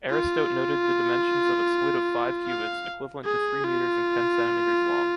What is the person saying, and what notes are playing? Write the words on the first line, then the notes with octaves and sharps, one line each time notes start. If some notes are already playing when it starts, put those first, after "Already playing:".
Aristote noted the dimensions of a squid of five cubits, equivalent to three meters and ten centimeters long.
F4
F5
G#4
F4